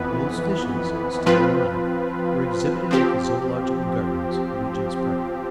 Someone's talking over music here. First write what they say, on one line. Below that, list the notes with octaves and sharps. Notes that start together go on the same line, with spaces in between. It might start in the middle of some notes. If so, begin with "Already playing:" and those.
Those fishes--still alive--were exhibited at the Zoological Gardens, Regent's Park.
Already playing: F2 E3 B3 B4
F3 C4 F4 B4
F3 C4 G4